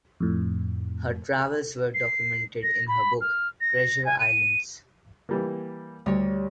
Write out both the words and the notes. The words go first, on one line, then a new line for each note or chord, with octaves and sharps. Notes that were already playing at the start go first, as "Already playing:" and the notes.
Her travels were documented in her book "Treasure Islands".
F2 A2
C7
A#6
B5
F6
A#6
G#5
D#7
E3 G3 A#3
D2 G3 C#5